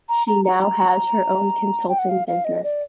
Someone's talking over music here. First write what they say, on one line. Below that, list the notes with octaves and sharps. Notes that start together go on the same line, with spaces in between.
She now has her own consulting business.
A#5
A#5
A#5
G5
F#5
F5
F5
D#5
D5